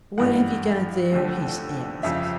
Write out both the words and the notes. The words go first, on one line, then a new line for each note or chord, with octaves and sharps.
"What have you got there?" he asked.
G#1 G2 E3 G#3 F#5
D#2 D3 F3 A3 C4
G1 F2 C#3 F3 E5